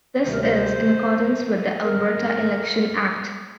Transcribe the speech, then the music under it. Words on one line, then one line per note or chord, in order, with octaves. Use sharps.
This is in accordance with the Alberta Election Act.
D2 C3 D#3 G3 A#3 C5
A#4
C5
G#2 D#3 G#3 C4 A#4